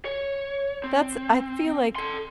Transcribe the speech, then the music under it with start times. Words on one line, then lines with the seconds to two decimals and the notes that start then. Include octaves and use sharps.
that's I feel like
0.05 C#5
0.84 C4
1.96 A4 C6